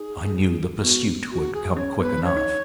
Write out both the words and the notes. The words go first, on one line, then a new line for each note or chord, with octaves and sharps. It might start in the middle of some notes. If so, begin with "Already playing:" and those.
I knew the pursuit would come quick enough.
Already playing: D#4 G#4
G#4
B3 F#4
F#4
G#4
C#4 C#5
B3 B4
C#4 C#5
D#4